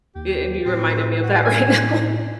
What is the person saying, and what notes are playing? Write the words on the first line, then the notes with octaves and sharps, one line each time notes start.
A and you reminded me of that right now,
D#2 G4
A2 C4
F#4
G#5